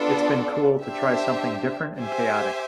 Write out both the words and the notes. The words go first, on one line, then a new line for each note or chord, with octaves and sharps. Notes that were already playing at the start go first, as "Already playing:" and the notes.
It's been cool to try something different and chaotic.
Already playing: B3 D4 F4 A4 D5
D4 G4 C5 E5
G4 C5 E5 G#5